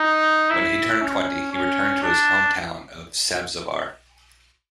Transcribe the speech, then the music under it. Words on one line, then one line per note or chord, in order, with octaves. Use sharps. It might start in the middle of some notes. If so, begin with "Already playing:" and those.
When he turned twenty, he returned to his hometown of Sabzavar.
Already playing: D#4
E4
C#4
C#4
D4